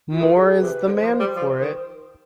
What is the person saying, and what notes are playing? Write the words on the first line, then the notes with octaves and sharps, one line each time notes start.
Moore is the man for it.
F4
D#3
D3 G#4
C3 B4
D3 D5
C5
F3
G3
F3
D#3